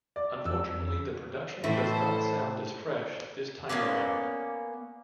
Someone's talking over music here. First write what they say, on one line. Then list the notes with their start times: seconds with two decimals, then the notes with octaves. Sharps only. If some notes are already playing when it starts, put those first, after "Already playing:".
Unfortunately the production does not sound as fresh this time around.
0.16 D5
0.45 F2 E6
1.64 A2 E3 E4 A4 C5
3.69 A#3 B3 C#4 D5